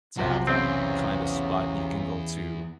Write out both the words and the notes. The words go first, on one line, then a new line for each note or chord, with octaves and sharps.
to have that kind of spot you can go to,
B1 C3 F3 F#4
E2 C#3 C4